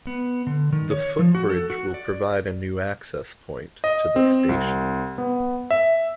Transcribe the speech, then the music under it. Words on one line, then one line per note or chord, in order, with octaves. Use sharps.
The footbridge will provide a new access point to the station.
B3
D3
D#3
C#5
F3
F#4
A4
F#4
D5
D#5
C4
C2
B3
E5